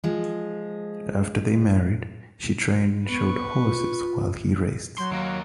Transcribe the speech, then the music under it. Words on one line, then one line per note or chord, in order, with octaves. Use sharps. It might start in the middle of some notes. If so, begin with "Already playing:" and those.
After they married, she trained and showed horses while he raced.
F3 G#3
B3 B4 C#6
F4
F#3 C6
D#2 A#3